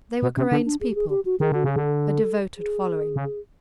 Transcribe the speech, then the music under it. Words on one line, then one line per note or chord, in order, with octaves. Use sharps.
They were Karain's people--a devoted following.
B2
C3 C#4
D3 D4
D4
G#4
G4
G#4
G4
F#4
D#3 G#4
D3 F#4
C#3 G#4
D3
A4
G#4
C#3